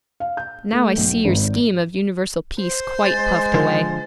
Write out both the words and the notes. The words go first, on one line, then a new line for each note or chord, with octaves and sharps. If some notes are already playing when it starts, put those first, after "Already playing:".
Now I see your scheme of universal peace quite puffed away!'
F5
G6
A3
B1
G#1
C5
G#3 A6
D3 F3